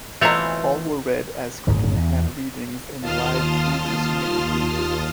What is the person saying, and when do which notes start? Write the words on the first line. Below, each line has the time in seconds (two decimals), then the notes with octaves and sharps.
All were read as script-in-hand readings in Live Theatre's main theatre.
0.21 B2 E3 A3 C4 F4 C#5 E5 A#5
1.67 D1 G1 G#2 D#3
1.96 E2
3.00 D#2 F4 A5 C6 D#6 F6